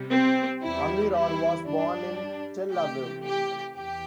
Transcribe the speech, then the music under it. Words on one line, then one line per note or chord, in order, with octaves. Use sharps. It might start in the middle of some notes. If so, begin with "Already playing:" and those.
Amir Or was born in Tel Aviv.
Already playing: C3 G3
C4
E2 E3 G3 E4
E4
G2 G3 D4
C3 E3 A3 G4
G4
E2 G4